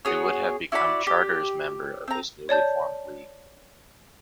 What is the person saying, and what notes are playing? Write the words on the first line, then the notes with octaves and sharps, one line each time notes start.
They would have become charters member of this newly formed league.
B3 F#4 G#4 C#5
E4 F#4 D5 B5
G4
C4 A#5
C#5 D5 A5 G6